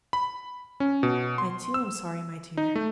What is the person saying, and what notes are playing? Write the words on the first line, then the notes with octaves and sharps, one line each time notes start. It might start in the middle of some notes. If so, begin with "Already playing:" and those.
'I too, am sorry, my dear.
B5
C#4
B2
C6
E6
D#4
A3